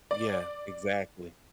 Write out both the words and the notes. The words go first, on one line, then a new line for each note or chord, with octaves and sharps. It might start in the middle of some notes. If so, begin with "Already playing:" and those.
Yeah. Exactly.
D5